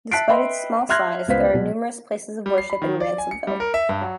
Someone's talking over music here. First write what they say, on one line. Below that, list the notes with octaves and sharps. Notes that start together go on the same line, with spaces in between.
Despite its small size there are numerous places of worship in Ransomville.
E5 A5 F#6 B6 C7 D7
B4 D#5 E5 G5 B5 C6
E5 C6 F6 F#6 G#6 A#6
C#2 B3 C5 F5 B6
B2 F#3
G3
C7
B5
D#3
D5
G#5
C#7
G3
A#4
E5
G2
F#3